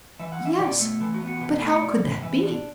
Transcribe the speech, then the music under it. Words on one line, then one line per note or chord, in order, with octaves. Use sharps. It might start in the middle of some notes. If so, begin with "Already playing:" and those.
"Yes, but how could that be?"
E3 E5
F#5
E3
E5
B2 D5
A3
E3 A4
F#4
B3
F#4
F#4
B2 G4
A3 A4
B2 D5
B2
E3 E5
D4 D5